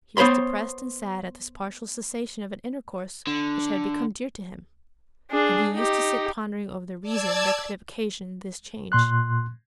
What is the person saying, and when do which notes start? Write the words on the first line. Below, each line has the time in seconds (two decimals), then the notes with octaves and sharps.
He was depressed and sad at this partial cessation of an intercourse which had become dear to him; and he used to sit pondering over the reason that could have occasioned this change.
0.17 B3 C5 C#5 B5 C6
3.27 D3
5.31 D4 G#4
5.74 D#4 G4
7.02 D5 A5 E6 G#6
8.92 A#2 C6 F#6